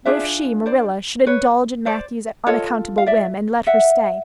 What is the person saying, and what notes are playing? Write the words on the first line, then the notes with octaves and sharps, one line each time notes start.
What if she, Marilla, should indulge Matthew's unaccountable whim and let her stay?
D4 F4 G#4 D5 E5
C5 D5
B4 C#5
C5 D5
F4 A4 C#5 D#5
F5
D5 E5
E5 F#5